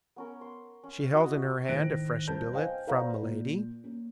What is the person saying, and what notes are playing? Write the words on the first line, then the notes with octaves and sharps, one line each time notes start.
She held in her hand a fresh billet from Milady.
B3 C#4 A#4
C6
C#4
C#4 E4 F#4 D#5
A2 D#3 C5 F#6 A#6 D7
C2 B4 C5 A5 G6
C5 D#5 F5 G5 G#5
B4 C5 D5 F5 F#5 A#5
A#2
A#3 C#4